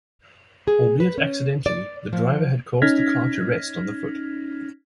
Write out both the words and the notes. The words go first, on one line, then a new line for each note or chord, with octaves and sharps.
Albeit accidentally, the driver had caused the car to rest on the foot.
G#4
B4
C#4
D5
F3
C#4 D#4 F6 G#6 A#6 B6